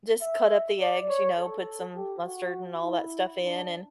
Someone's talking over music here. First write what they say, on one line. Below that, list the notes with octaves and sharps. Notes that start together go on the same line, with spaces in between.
Just cut up the eggs, you know, put some mustard and all that stuff in, and
E5
D5
C#5
A4
G4
F#4
E4
D4